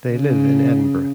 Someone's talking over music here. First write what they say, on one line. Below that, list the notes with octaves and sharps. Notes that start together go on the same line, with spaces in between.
They live in Edinburgh.
C#3